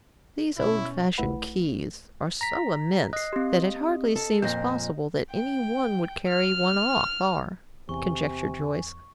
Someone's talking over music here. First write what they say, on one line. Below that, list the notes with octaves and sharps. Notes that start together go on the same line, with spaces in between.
"These old-fashioned keys are so immense that it hardly seems possible that any one would carry one off--far," conjectured Joyce.
B2 C#4 E4
A1 A3 E4 B4 F#5 B5
A#5 B6
D#5 F#6 C7
C4 G4
A4
F2 A#2 G6 A#6
G5
F6
E2 C3 G#5 C#6